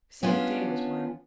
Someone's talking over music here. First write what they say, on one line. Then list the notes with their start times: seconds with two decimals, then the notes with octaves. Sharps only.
Sammy Jay was one.
0.23 B3 C#4 D4 F4